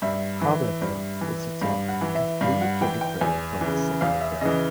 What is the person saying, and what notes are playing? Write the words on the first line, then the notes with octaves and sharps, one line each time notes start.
However, it sets off completely different from the second film.
G2 E5
E3
G2
E3
G2 F5
F#5
E3
E5
G2 F5
F#5
E3 G5
G5
E2 G#5
C#3 E3
E2 F5
E5
C#3 E3 D#5